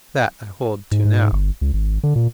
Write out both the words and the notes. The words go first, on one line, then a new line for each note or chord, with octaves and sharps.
That I hold to now.
G#2
G#2
G1
C#2
G#1
D3
A#2